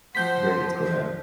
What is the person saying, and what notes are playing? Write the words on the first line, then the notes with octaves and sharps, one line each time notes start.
Very good skill to have.
F3 C5 F#5 G6 B6
C5